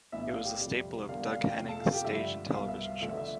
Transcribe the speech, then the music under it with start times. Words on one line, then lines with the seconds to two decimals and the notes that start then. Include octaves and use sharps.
It was a staple of Doug Henning's stage and television shows.
0.12 B1 A2 E3 B3 D4 E5
0.29 F5
0.44 G4 G5
0.61 F2 C3 G3
1.08 E1 E2 D3 G3 F5
1.32 F5
1.48 G5
1.57 F2 C3 F3 F5
1.69 A4 A5
1.81 F5
1.93 G4 G5
2.04 G2 D3 F3 A3 E5
2.53 C2 B2 B3 F5
2.68 E5
2.84 F5
3.01 F1 F2 D3 A3 E5
3.17 E5